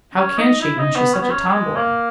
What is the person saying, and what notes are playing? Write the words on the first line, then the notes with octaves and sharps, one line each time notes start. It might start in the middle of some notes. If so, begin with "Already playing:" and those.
"How can she, when she's such a tomboy?"
C#4
D#4
E4
D#4
B3
C#4
B3
C#4
G3
G#3
A#3